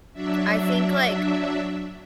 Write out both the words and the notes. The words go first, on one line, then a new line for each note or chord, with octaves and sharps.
I think, like,
F#3 D4 E5